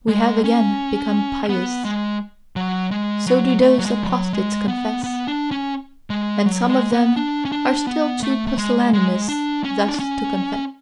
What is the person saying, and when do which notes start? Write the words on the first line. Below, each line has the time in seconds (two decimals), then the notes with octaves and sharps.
"We have again become pious"--so do those apostates confess; and some of them are still too pusillanimous thus to confess.
0.08 G#3
0.44 C#4
1.49 B3
1.85 G#3
2.56 F#3
2.91 G#3
3.27 F#3
3.62 A3
3.79 F#3
3.86 G#3
4.03 F3
4.09 F#3
4.33 G#3
4.68 B3
5.04 B3
5.27 D4
5.51 C#4
6.10 G#3
6.46 F#3
6.68 G#3
6.92 B3
7.16 D4
7.45 C#4
7.52 D4
7.87 B3
8.23 A3
8.47 A3
8.58 G#3
8.93 G#3
9.28 D4
9.64 C#4
9.88 D4
9.99 C#4